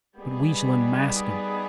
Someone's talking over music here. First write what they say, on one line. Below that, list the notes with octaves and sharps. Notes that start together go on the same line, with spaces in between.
But we shall unmask him.
G3 B3 D#4 G#4 B4